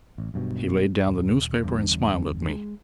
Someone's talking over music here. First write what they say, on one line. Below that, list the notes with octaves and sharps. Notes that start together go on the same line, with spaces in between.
He laid down the newspaper and smiled at me.
A1
B1 G2 B2
D#1
G1 E2 G2
G#3